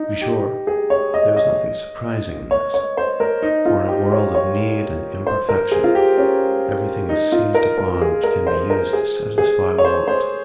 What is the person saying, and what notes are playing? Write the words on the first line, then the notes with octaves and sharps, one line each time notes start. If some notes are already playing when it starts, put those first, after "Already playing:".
To be sure, there is nothing surprising in this, for in a world of need and imperfection everything is seized upon which can be used to satisfy want.
Already playing: D#4
G4
G#4
C#5
D#5
D#5
C#5
C#5
C5
A#4
D#4
F4
G4
C#5
C#5
C5
A#4
G#4
F4
G4
C#4
D#4
F4
A#4
A#4
G#4
A#4
C5
A#4
G#4
G#4
C#5
C5
C5